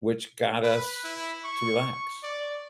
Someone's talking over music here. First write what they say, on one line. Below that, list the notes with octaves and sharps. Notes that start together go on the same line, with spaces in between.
which got us to relax,
B4
E4
C#6
D5